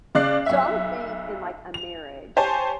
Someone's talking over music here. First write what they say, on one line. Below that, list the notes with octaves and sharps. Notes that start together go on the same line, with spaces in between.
So, I would think in like a marriage
C#3 D5 F#6 C7
B1 E5
F7
G4 C5 C#5 G#5 A5